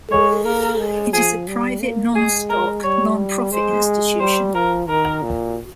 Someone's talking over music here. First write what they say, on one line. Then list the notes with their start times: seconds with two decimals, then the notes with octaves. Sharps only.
It is a private, non-stock, nonprofit institution.
0.11 G#3 C#5
0.45 A#3 A#4
0.79 G#3
1.13 F3 G#4
1.48 G3
1.82 A#3
2.16 G#3 G#4
2.50 A#4
2.83 G3 C#5
3.52 G#3 C5
4.20 G3 C5
4.54 F3 A#4
4.89 D#3 A#4
5.23 A#2